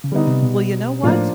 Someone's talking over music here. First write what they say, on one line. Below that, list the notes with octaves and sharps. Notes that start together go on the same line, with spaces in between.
"Well, you know what?
C#3
D3 G3 B3 D#4
C3
B2
A2 F3 A#3 D4 F4